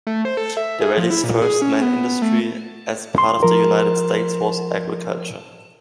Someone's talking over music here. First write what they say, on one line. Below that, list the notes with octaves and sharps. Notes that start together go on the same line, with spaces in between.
The valley's first main industry as a part of the United States was agriculture.
A3
C5
A4
E5
G#4
F3
E4
A#2
G#4
C#4
B3
A3
C6
F3 A#4